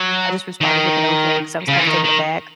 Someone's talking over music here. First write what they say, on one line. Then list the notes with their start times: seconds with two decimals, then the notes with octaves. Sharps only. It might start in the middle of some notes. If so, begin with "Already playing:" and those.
I just responded with an okay 'cause I was kinda taken aback.
Already playing: F#3
0.61 D#3
1.68 C#3
1.79 E3
1.87 D#3
2.05 D#3